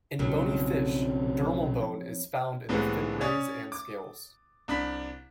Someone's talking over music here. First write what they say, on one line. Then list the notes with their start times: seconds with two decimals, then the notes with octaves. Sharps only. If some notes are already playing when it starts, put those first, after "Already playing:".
In bony fish, dermal bone is found in the fin rays and scales.
0.19 B1 F2 C#3 F#3
2.69 C2 A2 C3 E3 G#3 B3
3.21 C#4 C#5 D5 D#6
3.72 D6
4.68 C2 D4 B5 B6